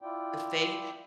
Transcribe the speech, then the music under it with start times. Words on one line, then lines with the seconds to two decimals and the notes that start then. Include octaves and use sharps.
if they
0.02 E4 F4 D5 G5